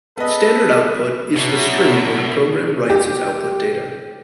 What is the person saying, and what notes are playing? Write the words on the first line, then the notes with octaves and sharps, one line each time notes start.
Standard output is the stream where a program writes its output data.
B3 C#4 G#4 A4 B4 D#5
B2 F#3 D5 E5
G4